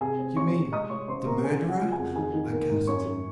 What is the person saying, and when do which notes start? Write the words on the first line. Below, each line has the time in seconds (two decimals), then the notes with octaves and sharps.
"You mean--the murderer?" I gasped.
0.01 C3 G#4 G#5
0.19 C4
0.37 C3 C#5 C#6
0.54 C3
0.72 G#3 D#5 D#6
0.90 G#3 C#5 C#6
1.08 C#3 C5 C6
1.26 C#3 A#4 A#5
1.44 C#3 G#4 G#5
1.62 C#3
1.68 F#4 F#5
1.81 F3
1.92 G#4 G#5
1.98 F2
2.16 D#3 G#4 G#5
2.33 D#3
2.52 A#3
2.70 G#2
2.87 F#2 C#5 C#6
3.05 F#2